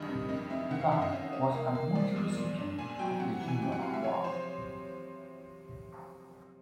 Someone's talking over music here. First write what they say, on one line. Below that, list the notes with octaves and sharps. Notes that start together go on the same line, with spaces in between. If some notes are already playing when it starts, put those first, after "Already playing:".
The band was a multi-recipient of the Juno Award.
Already playing: G2 D#3 D#5
C3
F2 D#5
F2 E5
D#3 F#5
F5
D#3 E5
D#5
C#4
C#4
A#3
A#3
F3 D5
E2
A#2
D4
A#2 G#5
G#5
F#3 G5
C3 F#5
E3
G#5
C3 G5
F#5
C3 F5
E5
F3 C#5
F3 C5